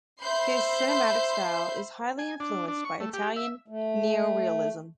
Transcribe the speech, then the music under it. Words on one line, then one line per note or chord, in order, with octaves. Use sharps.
His cinematic style is highly influenced by Italian neorealism.
C5 E5 B5 C6 G6 C7
G#5
D4
D4
C#6
A3
G4
E5
A3